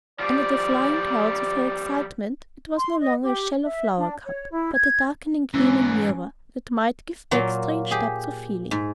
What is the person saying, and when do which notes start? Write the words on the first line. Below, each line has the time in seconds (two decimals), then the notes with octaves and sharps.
Under the flying clouds of her excitement it was no longer a shallow flower-cup but a darkening gleaming mirror that might give back strange depths of feeling.
0.20 F3 G3 D5
2.78 C6
3.00 D#5
3.23 G4
3.64 E5
3.97 D4
4.24 C#5
4.52 E4
4.73 G#6
5.54 G#2 E3 C#4
7.31 A#2 F#3 A#3 F4
7.91 G4 G#4
8.71 G#2